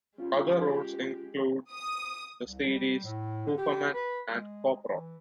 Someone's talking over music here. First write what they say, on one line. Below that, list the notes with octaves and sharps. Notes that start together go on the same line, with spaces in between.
Other roles include the series "Hooperman" and "Cop Rock".
G#3 C#4 F4 G4
D#6
C2
G3
A2
D3
G4
B4
G#3
E3